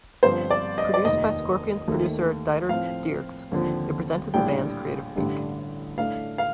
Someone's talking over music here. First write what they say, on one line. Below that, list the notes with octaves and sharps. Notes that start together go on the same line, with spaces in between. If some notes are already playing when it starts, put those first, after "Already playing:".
Produced by Scorpions producer Dieter Dierks, it presented the band's creative peak.
G1 G2 F3 C4 C5
D5
D#5
D5
F1 D#2 D#3 D#5
D#2 D#3 A3
A2 F3 C4 F5
D#2 D3 F3 C4
A#1 A2 G3 D4 G5
A1 G2 D3 G3 D4
A2 A3 D4 F5
F5